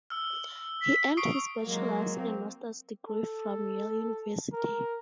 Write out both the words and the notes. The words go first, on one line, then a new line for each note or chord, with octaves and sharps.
He earned his Bachelors and master's degree from Yale University.
E6 F6
B6
C#6 D#6 C7 D7
F#3 G#3 A#3
C4
A4
A#4